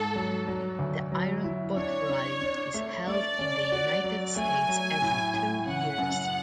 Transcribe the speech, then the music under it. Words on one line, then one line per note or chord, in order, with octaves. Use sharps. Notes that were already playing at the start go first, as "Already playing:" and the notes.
The Iron Butt Rally is held in the United States every two years.
Already playing: G#2 A4
F#3
F#3
D2
F#3
E4
D4 C#5
D4
D4
A3
A3 D5
C#4
F#4
F#3
A3 G#5
F#3
A2
A2
C#3 F#5
F#2